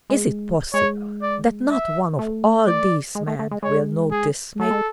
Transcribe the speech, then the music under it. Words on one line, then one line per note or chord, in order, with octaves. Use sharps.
Is it possible that not one of all these men will notice me?
G#3
G#3 C#5
D5
E5
A3
D5
G#3
A3
A3
G#3
G#3 C#5
G#4
F#3 A4
G#3